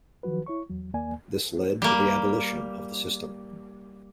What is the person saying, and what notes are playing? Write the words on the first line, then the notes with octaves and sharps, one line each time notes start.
This led to the abolition of the system.
D#3 F3 F#3 F#4 B4
E4 C#5 C#6
E2 F#3
D#2 A#3 D5 G#5
G3 A#3